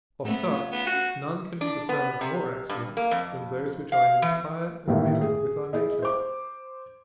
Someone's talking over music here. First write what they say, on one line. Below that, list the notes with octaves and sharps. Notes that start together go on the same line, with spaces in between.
Of such none can be discerned more excellent, than those which are in entire agreement with our nature.
A3 B3 C4
C#4 F4
B3
F#4
D4
B3
C3
G2
A#3
F2
F5
E3
G1 A2 D#3 A#3
G#4
E4 G#4 D#5
C5 D6